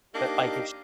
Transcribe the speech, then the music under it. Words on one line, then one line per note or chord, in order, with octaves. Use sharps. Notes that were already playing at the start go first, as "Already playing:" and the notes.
but, like, if sh
A#3 D4 D#4 G4 D#5 F5 D6